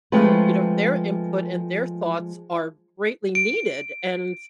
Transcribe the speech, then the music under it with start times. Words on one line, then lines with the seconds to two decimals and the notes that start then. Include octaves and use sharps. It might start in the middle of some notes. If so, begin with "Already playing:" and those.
um, you know, their input and their thoughts are greatly needed, and,
0.12 F3 G#3 A3 C4 A4 B4
3.35 D7